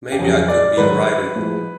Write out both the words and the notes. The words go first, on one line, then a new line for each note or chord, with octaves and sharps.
Maybe I could be a writer.
G4
F2 C#3 F#3 G#4
D5
G#2 D#3 F#3 B4
A2 F3 G#3